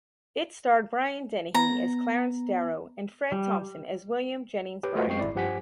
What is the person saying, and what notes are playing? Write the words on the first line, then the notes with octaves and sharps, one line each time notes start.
It starred Brian Dennehy as Clarence Darrow and Fred Thompson as William Jennings Bryan.
B3 A#5
G3
G4 B4 C#5 G5
A3 F4 F#4 B4 C5 D#5
F#2 G#3 C4 G5 C#6 C7
G#1 E4 D5
G2 F3 G4 F#5 G#5 B6